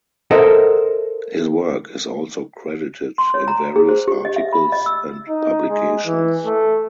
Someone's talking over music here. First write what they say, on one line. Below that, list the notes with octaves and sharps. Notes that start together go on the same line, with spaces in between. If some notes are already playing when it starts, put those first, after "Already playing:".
His work is also credited in various articles and publications.
A4 A#4 C5 D#5 E5 F#5
C6
C#5
A#5
G#4
C5
G4
D#5
E5
B5
D#5
E6
D#4
G#3
E3
A3